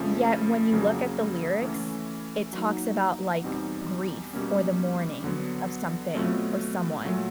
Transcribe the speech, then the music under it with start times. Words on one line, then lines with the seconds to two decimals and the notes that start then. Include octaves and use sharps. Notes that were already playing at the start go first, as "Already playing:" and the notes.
yet when you look at the lyrics, it talks about, like, grief or the mourning of something or someone,
Already playing: F2 C#3 F3 A3 C#4
0.71 F2 C#3 F#3 A#3
1.62 E3 A3 C#4
2.53 F#3 A#3 D#4
3.43 E2 B2 G3 C4 D#4
4.33 B2 G3 A#3 C#4
5.24 D3 F#3 B3
6.14 B2 F#3 A3 C4 F4
7.05 A#2 F#3 A3